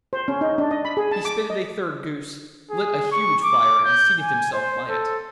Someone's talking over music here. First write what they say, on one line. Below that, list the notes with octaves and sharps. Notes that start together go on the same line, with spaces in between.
He spitted a third goose, lit a huge fire, and seated himself by it.
C5
C#4
D#4
D4
D#5
B5
G#4
A5
D6
D#5
G#4
C#6
D6
G6
G#5
C5
A4